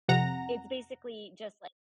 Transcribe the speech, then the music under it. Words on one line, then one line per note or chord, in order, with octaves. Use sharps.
It's basically just like
F2 C3 F#5 A#5 A#6